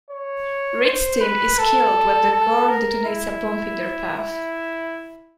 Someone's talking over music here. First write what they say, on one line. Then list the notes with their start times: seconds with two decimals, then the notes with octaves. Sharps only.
Reed's team is killed when the Gorn detonates a bomb in their path.
0.10 C#5
0.85 C5
1.21 B4
1.59 A4
2.32 A4
2.69 A#4
3.05 E4
4.17 E4